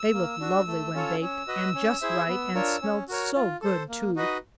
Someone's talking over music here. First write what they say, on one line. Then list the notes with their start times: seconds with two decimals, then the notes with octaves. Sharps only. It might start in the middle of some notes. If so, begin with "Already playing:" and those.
They looked lovely when baked, and just right, and smelled so good, too!
Already playing: E6
0.14 A#3
0.40 D4 F#4
0.67 A3
0.94 C#4 F4 A4 C#5
1.21 C#4 E6
1.48 F#4 B4 D#5
1.75 C#4
2.01 E4 G#4 C5 E5
2.28 B3
2.55 D4 F4 A#4 C#5
2.82 C#4
3.09 F#4 A#4 C#5
3.35 F4
3.62 A4 C5
3.89 A#3
4.16 D#4 F#4 B4 D#5